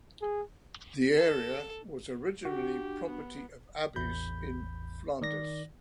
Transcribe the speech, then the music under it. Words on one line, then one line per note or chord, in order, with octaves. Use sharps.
The area was originally property of abbeys in Flanders.
G#4
A4
D4 F#4 G4
B3
A1 E2 B5 G6
D#3 D5 A#6